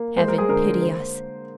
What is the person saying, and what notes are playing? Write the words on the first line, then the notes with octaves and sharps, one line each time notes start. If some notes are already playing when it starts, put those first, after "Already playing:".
Heaven pity us!
Already playing: A#3
G#3 C5
A#4
G#4
D3 A#4
A#3 C5